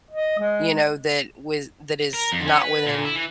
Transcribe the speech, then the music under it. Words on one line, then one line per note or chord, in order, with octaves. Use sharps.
you know, that with that is not within
D#5
G#3
A#4
F2
C#4
B4
A#2
E4
E3